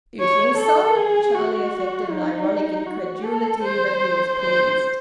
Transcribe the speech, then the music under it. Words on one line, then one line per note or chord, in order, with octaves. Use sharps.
"You think so?" Charlie affected an ironic incredulity, but he was pleased.
C#5
A4
G#4
F#4
D#4
F#4
A4
C5
C5